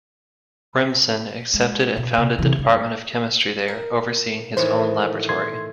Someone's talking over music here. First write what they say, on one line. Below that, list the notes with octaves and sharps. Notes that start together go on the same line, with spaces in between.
Remsen accepted and founded the department of chemistry there, overseeing his own laboratory.
G#3
B2
C3
C3 E3
G2
A#4
A2 D#3 E3 C5
C6 G#6